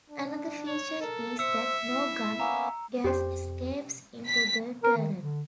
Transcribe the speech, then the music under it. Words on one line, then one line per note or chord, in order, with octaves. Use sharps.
Another feature is that no gun gas escapes into the turret.
D4
C#5
A4 A#4
C5 E5 E6 C#7
E4
A#3 B3 C#4 A#5
F2 G4 C5
B6
A#4
D#3
D3